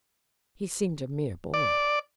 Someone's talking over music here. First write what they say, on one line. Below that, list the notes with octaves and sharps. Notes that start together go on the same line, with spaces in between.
He seemed a mere boy.
D5